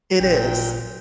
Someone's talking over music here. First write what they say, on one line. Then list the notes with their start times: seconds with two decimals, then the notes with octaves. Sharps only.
It is.
0.20 A1 A#2 G5